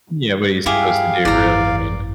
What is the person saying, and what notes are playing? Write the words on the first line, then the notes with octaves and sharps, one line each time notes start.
Yeah, what are you supposed to do, really, I mean.
G2 E4 G4 G#4 F5
G#1 F#2 E4 D5 A#5